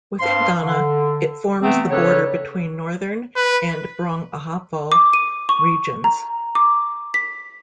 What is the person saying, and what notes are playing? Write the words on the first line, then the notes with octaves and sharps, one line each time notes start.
Within Ghana, it forms the border between Northern and Brong-Ahafo Regions.
G2 C5 F5 C6
D3
C3 E3 A3 B3 C4
C#3 D4 A4 B4 C#5
B4
D6
D#7
C#6
A#5
D6
B6